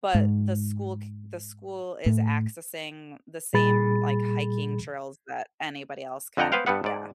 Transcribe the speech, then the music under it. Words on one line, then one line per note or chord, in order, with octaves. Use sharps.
but the school c the school is accessing the same, like, hiking trails that anybody else can. Yeah.
G#2
A2
A#2 G3 G#4 B5 A6
F2 D3 D#5 F#5 G5 A#5
B3 B4 C5 F5 G5
G2 G3 B3 F#5
G#2 D5